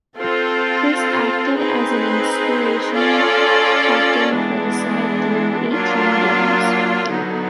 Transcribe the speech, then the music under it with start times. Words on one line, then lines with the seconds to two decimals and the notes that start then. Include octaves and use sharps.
Chris acted as an inspirational captain for the side through eighteen games.
0.17 C4 F4 A4
1.55 C4 D#4 G#4 B4
2.94 C#4 F4 A4 D5
4.33 E3 G#3 B3 D4
5.71 F#3 A#3 D4 F4
7.09 D3 F#3 B3 D#4